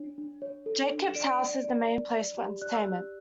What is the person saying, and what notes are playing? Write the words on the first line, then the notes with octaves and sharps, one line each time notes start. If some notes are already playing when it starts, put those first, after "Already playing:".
Jacobs house is the main place for entertainment.
Already playing: D4 C#5
D4
C#5
A4
D4
E7
D5 D7
D5
D5
D5
D5
G4
D5 F#6
E6
G4 F#6